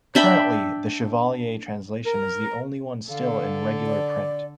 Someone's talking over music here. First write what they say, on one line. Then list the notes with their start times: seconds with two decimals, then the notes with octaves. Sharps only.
Currently the Chevalier translation is the only one still in regular print.
0.15 D4 E5 G5 B5
2.05 A#4
3.10 D3 A4 F5
3.87 D5